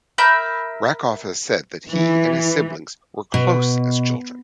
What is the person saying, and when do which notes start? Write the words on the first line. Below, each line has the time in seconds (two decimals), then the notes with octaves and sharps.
Rakoff has said that he and his siblings were close as children.
0.18 A#4 E5 B5 G6
1.92 E3
3.34 B2